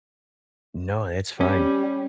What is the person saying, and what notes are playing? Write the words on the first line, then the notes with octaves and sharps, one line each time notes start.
No, it's fine.
G3 C#4